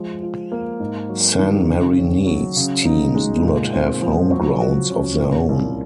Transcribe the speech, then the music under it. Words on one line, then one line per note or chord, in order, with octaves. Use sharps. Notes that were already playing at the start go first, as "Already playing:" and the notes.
Sanmarinese teams do not have home grounds of their own.
Already playing: F3 G#3
F4
A#3
G#2
F#3
D#3
C#3
C#4
F#3
C#3
D#4
G#3
A#2
C4
F3
F#3
F#4
C#4
A#2
C2